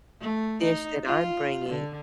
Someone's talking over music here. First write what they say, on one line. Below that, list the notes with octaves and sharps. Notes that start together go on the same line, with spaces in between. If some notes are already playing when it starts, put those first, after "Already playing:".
dish that I'm bringing."
A3
D#4
F4
D3